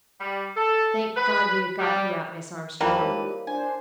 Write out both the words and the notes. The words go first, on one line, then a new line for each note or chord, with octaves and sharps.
"Thank God, we have got you out, Miss Armstrong."
G3
A4
B4
G3
F2 G3 A#3 E4 F4 B4 C5 A5
G#3 D#4 G4 A#4 C#5 F5
D4 C5 G#5